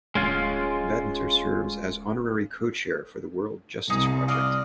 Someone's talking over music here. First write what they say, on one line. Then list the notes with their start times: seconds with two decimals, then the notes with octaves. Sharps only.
Badinter serves as an Honorary Co-Chair for the World Justice Project.
0.15 D1 G#3 C#4 F4
3.90 C2 D#4 G#4
4.28 D5 D#5 F5